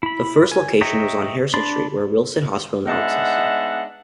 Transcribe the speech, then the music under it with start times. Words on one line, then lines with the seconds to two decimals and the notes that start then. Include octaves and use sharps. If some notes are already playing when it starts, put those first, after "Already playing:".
The first location was on Harrison Street where Wilson Hospital now exists.
0.03 E4 B5
0.52 G#5
0.81 C#5 D#5 E5 G5 A#5
1.54 D4 D5 B5 C6
2.88 G#3 B3 D4 D#4 E5 F#5